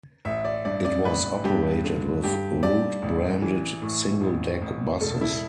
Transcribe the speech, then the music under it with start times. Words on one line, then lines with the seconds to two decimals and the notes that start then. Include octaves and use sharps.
It was operated with route-branded single-deck buses.
0.25 A1 E5
0.45 D5
0.65 G2 D5
0.85 D5
1.04 A1 B4
1.44 G2 G4
1.84 D3
2.23 G2 G4
2.63 G2 D5
3.02 A1
3.42 E3
3.82 A2
4.21 A1
4.62 A1
5.01 E1 A4
5.21 E4